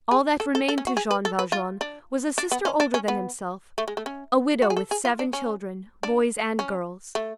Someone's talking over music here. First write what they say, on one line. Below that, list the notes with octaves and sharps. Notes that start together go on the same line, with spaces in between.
All that remained to Jean Valjean was a sister older than himself,--a widow with seven children, boys and girls.
G#4
A4
A4
A4
C#4
F#4
G#4
B4
A4
B4
F4
D4
D4
B3
C#4
D4
C#4
B3
A3
G#3
A3
C#4
F#4
G#4
A4
G#4
F4
D4
C#4
D4
C#4
A3